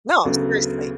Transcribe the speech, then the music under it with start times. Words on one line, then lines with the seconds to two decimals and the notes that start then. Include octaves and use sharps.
No, seriously,
0.24 D2 C#3 F#3 B3